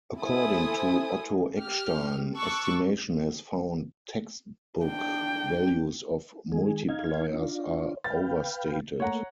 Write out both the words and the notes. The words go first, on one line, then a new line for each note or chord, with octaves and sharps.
According to Otto Eckstein, estimation has found "textbook" values of multipliers are overstated.
E4 A4 C5 E5 G#5 D#6
G4 F6
A5 C#6 D6 E6 F#6
D4 G5
D#3 G#3 G#4
D#4 F5 G#6
D4 F4
B4 F5 G5 A6
A3 A#3 C#5 F#5 A#5